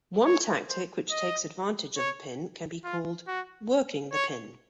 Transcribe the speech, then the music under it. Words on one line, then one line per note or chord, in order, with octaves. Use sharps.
One tactic which takes advantage of a pin can be called "working the pin".
C#5
C5
D#5
C#5
F4
F#4
C#5